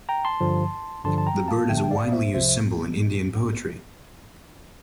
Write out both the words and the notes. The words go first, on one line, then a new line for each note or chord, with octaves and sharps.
The bird is a widely used symbol in Indian poetry.
G5 A#5
A5 C6
G2 D3 F3
G2 D3 F3 A5 C6
A5
G5 A#5
F5 A5
G2 D3 F3 E5 G5
A5
G5
D5 F5
C5 E5
C2 C3 F3 C5 E5
E5